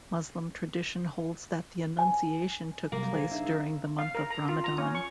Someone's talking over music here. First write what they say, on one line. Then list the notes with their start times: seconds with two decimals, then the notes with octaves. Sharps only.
Muslim tradition holds that the Annunciation took place during the month of Ramadan.
1.99 G#5
2.92 C3 F#3 G3 A#3
3.14 G#4 C5 G#5
3.32 D4 D#4 E5
3.99 F5
4.15 A#4
4.30 A#5
4.49 F4
4.64 A#5
4.78 C#4
4.95 C#6